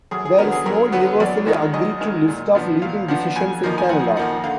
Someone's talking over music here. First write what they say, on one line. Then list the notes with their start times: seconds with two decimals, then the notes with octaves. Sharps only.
There is no universally agreed-to list of "leading decisions" in Canada.
0.11 F#2 G#4
0.25 G#4
0.38 D3 F#3 B3 A#4
0.52 G#4
0.66 F#2 A#4
0.92 D3 F#3 B3 B4
1.20 F#2 D5
1.47 D#3 G#3 D#4
1.74 F#2 D#5
2.01 D#3 G#3 D#4
2.28 A#2
2.55 F3 B3 D4
2.82 A#2 F5
3.08 F3 B3 D4 F#5
3.36 F2 G#5
3.63 F3 A#3 D#4
3.78 G#5
3.89 F2 F#5
4.17 F3 A#3 D#4 F#5
4.44 D3 F5